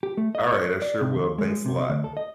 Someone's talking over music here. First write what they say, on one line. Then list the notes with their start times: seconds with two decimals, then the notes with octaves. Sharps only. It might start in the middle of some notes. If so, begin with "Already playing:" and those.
Alright, I sure will, thanks a lot.
0.03 G4
0.17 A3
0.35 D#5
0.53 C#5
0.82 D5
1.01 C3
1.15 D#2
1.38 G#3
1.66 C3
1.90 D2
2.04 A4
2.17 D#5